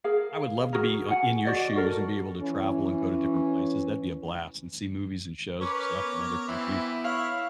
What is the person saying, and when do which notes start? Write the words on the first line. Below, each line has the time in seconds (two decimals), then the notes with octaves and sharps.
I would love to be in your shoes, and be able to travel and go to different places. That'd be a blast, and see movies, and shows, and stuff from other countries.
0.04 G#4 A#4 F5
0.73 F#4 G#4 A#4
1.09 F#5 G#5
1.45 F#4 D5 D#5
1.76 F#4 A4 A#4
2.40 E3 C#4
5.61 C#4 A#4 B4 C#5 D6
6.03 B3
6.48 E3 C4 E4
7.04 C#5 F5